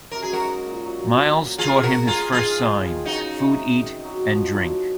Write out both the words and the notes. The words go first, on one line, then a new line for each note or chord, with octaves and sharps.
Miles taught him his first signs, "food-eat" and "drink".
F#2 A#4
G#4
G#2 F#4 A#4
G#2
A#2
F#3
F4 G#4
F#4 A#4
F4 G#4
D#3 F4 G#4
F3
D#3
D#3
C#3 D#4 F#4
C3
D#3
F#3
F3
F3
F#3